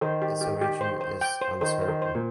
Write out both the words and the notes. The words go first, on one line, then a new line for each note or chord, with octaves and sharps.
His origin is uncertain.
D#3 C5
G4
G4
G4
C5
C5
G5
C5
D#3 C5
C5
D#3
C5
A#2